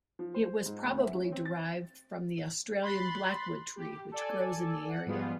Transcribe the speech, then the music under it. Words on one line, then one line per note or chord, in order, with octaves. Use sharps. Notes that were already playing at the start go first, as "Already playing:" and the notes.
It was probably derived from the Australian Blackwood tree which grows in the area.
F3
C5
G#2
D2
E5
C#4
C4
A6
B5 C6 F#6 A6
G4
A4 D5 G#5
F#5
G#2 F3 G3 B3 F4 G#4